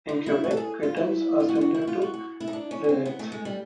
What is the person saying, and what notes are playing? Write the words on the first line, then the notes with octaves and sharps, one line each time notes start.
In Quebec, cretons are similar to rillettes.
D#4
E4
F#4
A4
G#4
F4
E4
F4
F#4
F4
F#4
E4
F#4
F4
F#4
F#4
E4
D#4
D4
C#4
C#4
C4
B3
A3
G#3
G3